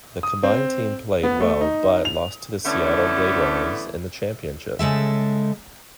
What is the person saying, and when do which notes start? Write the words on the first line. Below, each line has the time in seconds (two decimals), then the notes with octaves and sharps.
The combined team played well but lost to the Seattle Bladerunners in the championship.
0.23 D#6
0.43 C4
1.23 B3
1.41 A3
1.61 D#4
2.05 F7
2.65 D3 E3 A3 B3 C#4 D4
4.79 C#3 G#3 A4 E5